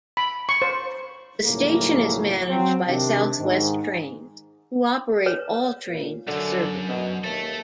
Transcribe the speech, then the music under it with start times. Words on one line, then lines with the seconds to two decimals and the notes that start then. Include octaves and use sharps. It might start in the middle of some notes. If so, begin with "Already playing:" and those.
The station is managed by South West Trains, who operate all trains serving it.
0.17 B5
0.49 C#6
0.62 C5
1.45 B1 A2 C#3 F3 G3 A#3
2.48 F#3 C4
2.87 C3 D#3 D4
3.38 G#2 D#3
5.26 B4 C#5
5.87 A#2
6.28 C2 F#2 D3
6.89 B2
7.24 D#2 A4 E5